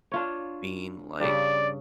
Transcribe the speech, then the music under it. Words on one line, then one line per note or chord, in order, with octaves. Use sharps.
being, like,
D4 F4 C#5
G2 C#3 D5